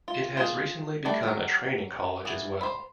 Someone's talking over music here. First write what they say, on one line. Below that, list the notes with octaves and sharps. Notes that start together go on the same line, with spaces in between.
It has recently become a training college as well.
F4
F4 G#4
G3 A3 D4
F#3 G4
E3 B3 E4
C5 B5